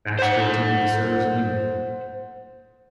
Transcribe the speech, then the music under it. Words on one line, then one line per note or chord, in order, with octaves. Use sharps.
Baxter attended the service anyway.
C5 F#5